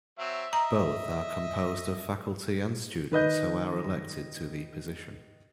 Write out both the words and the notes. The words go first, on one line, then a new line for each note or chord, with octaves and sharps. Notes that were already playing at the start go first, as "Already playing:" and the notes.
Both are composed of faculty and students who are elected to the position.
F#3 C4 E5
D#5 A#5
D#3 B4 D#5 G6